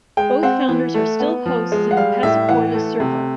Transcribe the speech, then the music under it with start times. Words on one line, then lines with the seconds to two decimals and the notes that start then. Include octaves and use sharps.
Both founders are still hosts in the Pasporta Servo.
0.17 G#3 G5
0.43 C4 F#5
0.69 E3
0.94 A3
1.20 B3
1.46 F3
1.72 G#3
1.91 F#5
1.97 G3 F5
2.23 A2 E5
2.49 E3 F#5
2.74 A3
3.00 C3